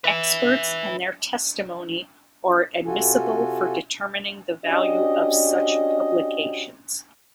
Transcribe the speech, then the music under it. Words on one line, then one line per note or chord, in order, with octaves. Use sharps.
Experts and their testimony are admissible for determining the value of such publications.
B4 E5
C3 F4 F#4 A4 G#5
C#4 D4 F#4 G4 D#5